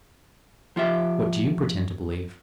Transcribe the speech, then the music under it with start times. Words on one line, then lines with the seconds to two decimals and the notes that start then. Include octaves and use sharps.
What do you pretend to believe?'
0.76 F3 F4 G4 E5